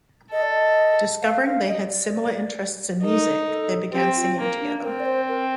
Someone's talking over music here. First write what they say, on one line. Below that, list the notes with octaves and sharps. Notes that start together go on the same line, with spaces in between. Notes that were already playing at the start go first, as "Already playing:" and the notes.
Discovering they had similar interests in music, they began singing together.
A4 D#5
D5
D#5
F5
F5
D#5
D5
D#4 A#4
A4
C4 G4
F4
A#3
D4
C4 A#4
D5
C5
A#4